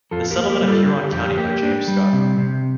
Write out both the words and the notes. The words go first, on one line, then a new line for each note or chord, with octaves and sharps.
"The Settlement Of Huron County" by James Scott.
F2 F4 A4
G4 A#4
A#3
G4 A#4
G3
F4 A4
D3 G4
F2 G4
A#3 G4
D4
G3
C3
C3